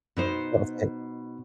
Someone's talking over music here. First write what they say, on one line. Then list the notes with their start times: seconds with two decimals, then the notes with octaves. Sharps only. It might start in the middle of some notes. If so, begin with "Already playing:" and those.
Oh, thanks.
0.17 B2 D#4 C5